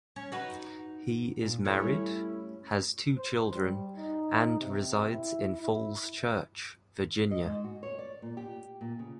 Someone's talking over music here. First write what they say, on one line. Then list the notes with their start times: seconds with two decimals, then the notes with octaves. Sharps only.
He is married, has two children, and resides in Falls Church, Virginia.
0.16 C#4
0.32 D#4 F#4 B4
1.39 A#2
1.65 G3 A3 C#4 E4
3.18 C5
3.54 G3
3.96 D#4
4.60 C3
5.12 E4
5.61 E4
7.31 D#5
7.44 G#2
7.64 F#4
7.83 C#5
7.99 D5
8.22 A#2
8.37 G4
8.81 A#2
8.99 C#3